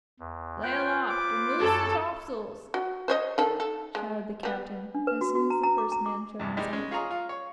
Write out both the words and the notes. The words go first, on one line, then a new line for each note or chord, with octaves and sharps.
"Lay aloft and loose the topsails!" shouted the captain, as soon as the first man showed himself.
E2
F4 B4 C5 G5
D6
F#2 A4 C#5
F#4
C5 C#5 D#5
D#3 A4
A4
G#3
G3 B3
D4
B4
F#4
F#4
A#5
A#5
D6
A#5
D6
E2 G2 C3
G3 G#3 D#4
G#3 C#4
F4 G#4 C#5 D#5 A#5 D#6
F4
C#5